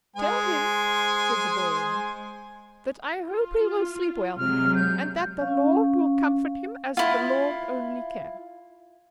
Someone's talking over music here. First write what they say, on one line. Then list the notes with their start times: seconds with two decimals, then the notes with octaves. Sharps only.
"Tell him," said the Boer-woman, "that I hope he will sleep well, and that the Lord will comfort him, as the Lord only can."
0.16 G#3 C5 G#5
3.27 F4
4.38 C3 F#3 G#3 F6
4.75 G6
5.41 C#4 F5
6.97 E4 F4